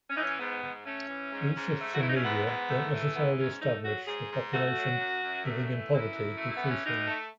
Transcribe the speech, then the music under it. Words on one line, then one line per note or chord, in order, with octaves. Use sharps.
These shifts in media don't necessarily establish the population living in poverty decreasing.
C#4
E3 D#4
C#4
G#2 B3
G#2
A3 C#4
E3
G#2
G#2
A3
F#4
E3 E4
D#4
C#4
G#2 B3
G#2
A3
E3
G#2 B3
G#2 C#4
A3 D#4
F#3 F#4
G#2 G#4
G#2
A3 F#4
F#3
F#2
F#2
A3
E3
F#2 E4
F#2
A3
B3
E3
C#4
B2 D#4
A3